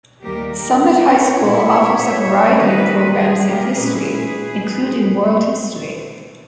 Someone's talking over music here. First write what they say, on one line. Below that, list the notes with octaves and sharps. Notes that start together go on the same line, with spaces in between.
Summit high school offers a variety of programs in history, including World History.
D#2 D#3 G3 A#3 G4 A#4
G4 A#4
A#4 C#5
A#2 A#3 E4
C#5 E5
C#5 E5
D#3 G3 A#3 B4 D#5
G#4
G4 A#4
A#2 G#3 C#4 E4 G#4 B4